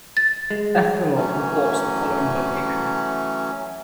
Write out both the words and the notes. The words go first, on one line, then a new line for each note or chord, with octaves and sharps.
"Ethnologue" reports the following locations.
A6
G#3
E3 F#3 A3 C#4